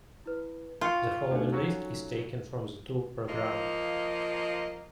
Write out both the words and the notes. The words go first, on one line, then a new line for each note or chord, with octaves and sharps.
The following list is taken from the tour programme.
E4 B4
F4 G5 C#6 C#7
D2 D#4 A4 F#5
F#3 C#4 F#4
F3 A#3 D#5